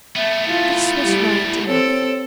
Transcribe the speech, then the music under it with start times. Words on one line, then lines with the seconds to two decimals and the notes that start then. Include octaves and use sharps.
This was right enough.
0.16 A3 B3 E5
0.47 E4 F4
1.04 G3
1.66 C4 A4 C#5